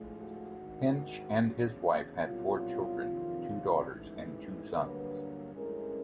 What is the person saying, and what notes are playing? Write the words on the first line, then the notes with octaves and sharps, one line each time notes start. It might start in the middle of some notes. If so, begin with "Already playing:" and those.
Hench and his wife had four children, two daughters and two sons.
Already playing: A2 F3 G#3
F#4
G#1 G#2 D#3
E2 C#3 F#3
C2 B2 F#3 F4
F2 C3 D#3 F#3 A#3
A1 G#2 E3
G2 D3 F#3 A#3 B4
A1 G2 E3 G#3 C#4 A#4